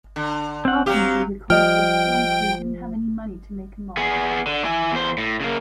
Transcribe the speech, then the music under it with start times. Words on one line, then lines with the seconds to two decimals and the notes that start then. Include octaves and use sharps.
Carpenter recalls that the film crew didn't have any money to make a mask.
0.16 D3
0.65 C4 F#5
0.86 F#3 C4 G4 F5
1.50 F3 G3 D#5 G5 F6
3.97 B3 G#4
4.47 D3
4.65 E4 G#5
4.92 E2 C5
5.18 A2
5.40 C#3 A#3